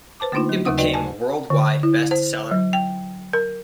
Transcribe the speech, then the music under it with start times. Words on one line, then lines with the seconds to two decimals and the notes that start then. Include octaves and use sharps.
It became a world-wide best seller.
0.20 B4 C5 A5 D6
0.32 D3 A3 A#3 D4 D#4 F4
0.49 F#3
0.65 D#2 C#3 D#4 F#5 D#6
0.78 D#4 F#4 B4 D5 D#5 G5
0.94 G#5 A5
1.50 D3
1.83 E4
2.11 C5
2.51 F#3
2.73 G5
3.33 A#4